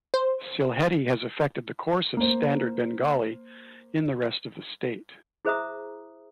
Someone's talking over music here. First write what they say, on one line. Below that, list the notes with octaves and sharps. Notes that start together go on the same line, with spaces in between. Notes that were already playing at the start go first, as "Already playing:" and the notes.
Sylheti has affected the course of Standard Bengali in the rest of the state.
C5
A#3 C5
E4 G#4 C5 E5 A#5 D#6